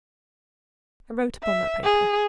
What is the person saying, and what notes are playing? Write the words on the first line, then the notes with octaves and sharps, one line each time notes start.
"And wrote upon that paper."
E5
G#4